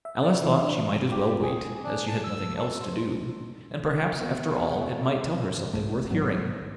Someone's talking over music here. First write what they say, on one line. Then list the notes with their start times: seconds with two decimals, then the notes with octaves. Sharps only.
Alice thought she might as well wait, as she had nothing else to do, and perhaps after all it might tell her something worth hearing.
0.05 E5
0.23 D5
0.42 E3
0.62 D4
1.11 G4
1.42 G#4
1.84 D4
2.08 A5
2.24 E6
2.57 A4
2.81 C5
4.16 B2
5.73 E1 C2 G#2 A3
6.11 A#1 G#2 F#3 B3